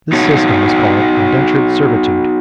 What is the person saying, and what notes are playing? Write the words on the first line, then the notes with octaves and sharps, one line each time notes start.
This system was called indentured servitude.
B3 D#4 F#4 C#5 A5